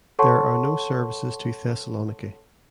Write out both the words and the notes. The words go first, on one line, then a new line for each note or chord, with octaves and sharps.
There are no services to Thessaloniki.
A4 C#5 F#5 A5 C6 C#6